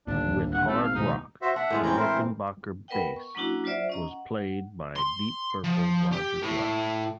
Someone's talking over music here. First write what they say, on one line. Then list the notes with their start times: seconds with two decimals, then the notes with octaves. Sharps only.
With hard rock, the Rickenbacker bass was played by Deep Purple's Roger Glover.
0.07 D1 G1 D#2 D4
0.54 G2 F#5
0.68 G#1 A3
0.83 F5
0.95 D#2 G#2 B2 D#4
1.42 F#4 C5 E5
1.56 D4 E5 F#5
1.70 A2 G#3 F4
1.83 E3 C4 C#4 A#5
1.97 E4 A#4 C5
2.88 B3 A#4 B4 D#5 F#5 G5
3.16 C#6
3.35 F#3 A#3 C#4 D4 E4 F#4
3.64 F#3 F4 C5 D5 E5
3.89 C#4 D#5 A#5
4.08 F#5
4.96 C6
5.64 F3
6.12 G4
6.42 A2